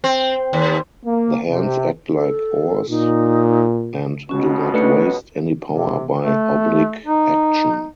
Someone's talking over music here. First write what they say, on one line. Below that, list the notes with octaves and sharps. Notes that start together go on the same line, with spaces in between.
The hands act like oars, and do not waste any power by oblique action.
C4
D#2
A#3
C3
A4
A#2 D#4
C#2 B2 C#4 F#4
A3 D4 B4 C#7
C3
A3
D#4